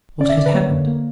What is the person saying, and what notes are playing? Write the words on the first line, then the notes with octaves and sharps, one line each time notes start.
What had happened?
C#4 D5
E5
D3 D5
B4
A#3 C#5
D3
A#3